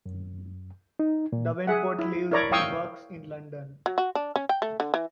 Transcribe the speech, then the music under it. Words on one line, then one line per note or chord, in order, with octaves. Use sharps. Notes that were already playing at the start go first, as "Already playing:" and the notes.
Davenport lives and works in London.
F#2
D#4
A#2
G#4 E5 F#5
E4
E4 A#4 C#5 D5 A#5
C#5 F5 G5 C#6 D#6 E6
F#3
F#4
D4
C#4
G5
A3
D3
E3